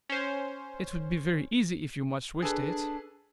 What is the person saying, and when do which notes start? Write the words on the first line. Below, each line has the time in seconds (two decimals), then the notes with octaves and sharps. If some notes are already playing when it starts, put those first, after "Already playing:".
"It would be very easy if you much wished it?"
0.09 C#4 C5
2.42 D4 G#4 A4 B4